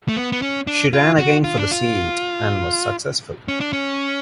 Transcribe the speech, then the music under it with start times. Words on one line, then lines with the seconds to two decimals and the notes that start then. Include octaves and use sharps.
She ran again for the seat, and was successful.
0.08 A3
0.16 B3
0.32 B3
0.42 C#4
0.67 D4
0.93 F4
1.19 F#4
1.44 F4
1.58 D4
1.71 F4
3.48 C#4
3.60 D4
3.73 C#4